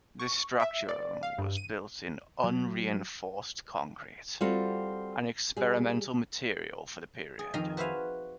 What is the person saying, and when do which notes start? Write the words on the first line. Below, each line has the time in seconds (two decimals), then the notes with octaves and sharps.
This structure was built in unreinforced concrete, an experimental material for the period.
0.19 C#6
0.60 E5
0.89 D5
1.23 F5
1.38 G2
1.57 D#7
2.44 F#3
4.41 G3 C4 F4 F#4 A4
5.57 G3 G#4
7.39 G#4
7.54 F2 D#3 D#4 A#4 D#5 F5
7.77 F#4 B4 C5 E5 F5 G#5